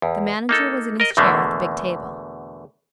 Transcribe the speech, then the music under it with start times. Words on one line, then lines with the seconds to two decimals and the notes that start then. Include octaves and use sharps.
The manager was in his chair at the big table.
0.02 E2
0.49 A#3 D#4 A4
1.00 A#4 D#5
1.17 E2 B2 D3 A3 A#3